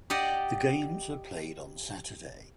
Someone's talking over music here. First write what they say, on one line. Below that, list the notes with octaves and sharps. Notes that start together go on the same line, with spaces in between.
The games are played on Saturday.
G4 D5 D#5 F#5